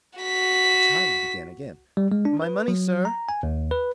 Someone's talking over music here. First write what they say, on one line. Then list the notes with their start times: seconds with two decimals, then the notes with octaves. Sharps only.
The child began again, "My money, sir."
0.19 F#4 B6
1.97 G3
2.12 G#3
2.25 D4
2.42 B4
2.68 F#3
3.05 A#5
3.29 G#5
3.43 D#2
3.71 B4